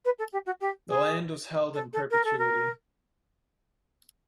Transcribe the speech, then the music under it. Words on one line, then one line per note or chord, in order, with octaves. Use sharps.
The land was held in perpetuity.
B4
A4
G4
F#4
G4
G#4
A4
A4
A#4
A4
A#4